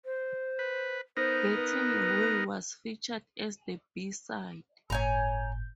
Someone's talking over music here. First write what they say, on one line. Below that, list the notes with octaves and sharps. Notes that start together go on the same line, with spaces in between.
"Getting Your Way" was featured as the B-Side.
C5
B4
B3 D#4 A#4 C5
B4
G1 A2 C#5 G#5 A#5 G6